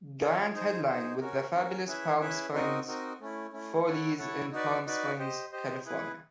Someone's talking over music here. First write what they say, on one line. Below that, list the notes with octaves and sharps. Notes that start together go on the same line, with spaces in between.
Grant headlined with The Fabulous Palm Springs Follies in Palm Springs, California.
C#4 F4 G#4
D#4 G#4 C5
D#4 G#4 C5
C#4 F#4 A#4
C#4 F#4 A#4
C#4 E4 G#4 B4 E5
C#4 E4 G#4 B4 E5
C4 D#4 F#4 A#4 D#5
C4 D#4 F#4 A#4 D#5
A3 C#4 E4
A3 C#4 E4
E4 A4 C#5 F#5
E4 A4 C#5 F#5
D#4 F#4 B4 D5
D#4 F#4 B4 D5
G4 C5 D#5
G4 C5 D#5
E4 G#4 B4